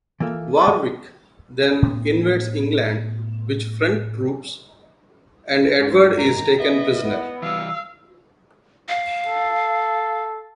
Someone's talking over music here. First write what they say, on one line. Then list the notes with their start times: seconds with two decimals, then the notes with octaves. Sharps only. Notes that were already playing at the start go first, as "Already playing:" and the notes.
Warwick then invades England with French troops, and Edward is taken prisoner.
0.20 E3 A#3 F4 A4
0.60 B4 D5 G#5 A5
1.82 A2 B3
5.80 G#2
6.17 D#3 A#5
6.60 B3 D#5 E5
7.04 B3 E4 F#5
7.42 E3 G3 F5 E6
8.89 F5
9.27 A4